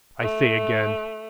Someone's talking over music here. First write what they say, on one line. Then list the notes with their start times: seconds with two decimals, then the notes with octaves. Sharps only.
I say again.
0.21 A3